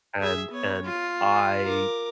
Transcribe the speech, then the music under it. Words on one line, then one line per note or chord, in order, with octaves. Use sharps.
and and I
G#4 E5
B3 C#5
F4
A#4 D6